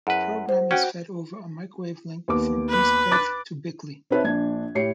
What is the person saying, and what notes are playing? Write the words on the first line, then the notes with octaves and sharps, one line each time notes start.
The programme is fed over a microwave link from East Perth to Bickley.
F#2 E4 G#4 B4 F#5
C5
C#4 F#4 F#5 G5
D#2 B3 D6
B4
D6 F#6 A6
C4 D#4 B4 C#5 E5 A5
A#1 D4 G#6
A2 G4 C#5 C7 C#7